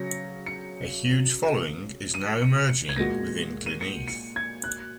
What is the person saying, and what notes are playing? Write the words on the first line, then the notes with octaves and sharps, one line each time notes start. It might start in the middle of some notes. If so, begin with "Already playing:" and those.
A huge following is now emerging within Glynneath.
Already playing: C#3 F#3 C#4 A#6 C#7
C#7
D#7
C#7
C#7
G#6
A#2 G#3 F#4 A#6
D#7
C#7
C#7
G#6
F#6